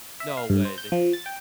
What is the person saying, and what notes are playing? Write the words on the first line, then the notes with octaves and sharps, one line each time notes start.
No way, they
E5
F5
G2
C5
G6
F3
A6
G5